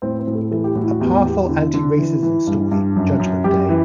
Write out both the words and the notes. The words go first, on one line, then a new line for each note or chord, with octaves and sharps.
A powerful anti-racism story, Judgment Day!
A2 C4
C4
A2
A4
E3 A4
G4
A2 F#4
E4
F#4
E2 G4
E2 G4
D3 E4
D3
E3
E3
G2
G2
F#2
F#2
F#2 G4
E3